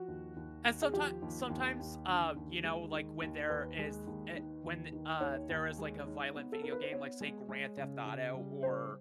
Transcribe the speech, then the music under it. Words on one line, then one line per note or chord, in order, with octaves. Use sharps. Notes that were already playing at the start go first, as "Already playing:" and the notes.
and someti sometimes, uh, you know, like when there is, l i uh, when, uh, there is like a violent video game, like say Grand Theft Auto or,
Already playing: F3 F#4
D#2
D#2
D#2
G#4
F3 G4
D#2
D#2
D#2
D3
D#2
G#3
D#3
D#2
D#2 B4
G#3
D#2
D#3
D#2
D#3
D#2 C#5
D#2
G#3
D#4
B3
A4
D#4 A#4
B4
C5
B3 C#5
G#3
G#3
C#3
C#3
G3
C#3 C5